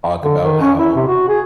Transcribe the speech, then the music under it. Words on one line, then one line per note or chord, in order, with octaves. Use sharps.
talk about how
D3
D#3
C#4
E4
C3
F#4
G#4